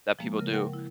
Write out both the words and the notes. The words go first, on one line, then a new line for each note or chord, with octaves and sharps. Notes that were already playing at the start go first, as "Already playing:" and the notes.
that people do.
F3 G#3 A#3
C#3 A#4
A#4 F#5 G5
E4